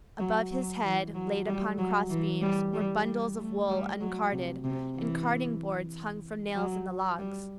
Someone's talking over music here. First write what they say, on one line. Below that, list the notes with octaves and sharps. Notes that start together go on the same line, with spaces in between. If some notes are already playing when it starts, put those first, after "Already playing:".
Above his head, laid upon cross-beams, were bundles of wool uncarded, and carding-boards hung from nails in the logs.
F#3
F#3
E3
F#3
G3
F#3
E3
G3
G3
G3
A3
G3
F#3
C3
C3
E3
F#3
G3